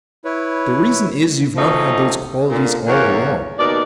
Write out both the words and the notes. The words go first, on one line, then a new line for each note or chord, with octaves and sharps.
The reason is you've not had those qualities all along.
E4 B4 C#5
D#3 F3 F#3 A3 C#4 D#4
A#2 D3
E2 A#3 C#5
D#2 B2 D#4 A#4 D5